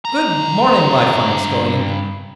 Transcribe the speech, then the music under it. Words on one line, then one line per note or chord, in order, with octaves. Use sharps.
'Good-morning, my fine Scullion!'
G2 A#5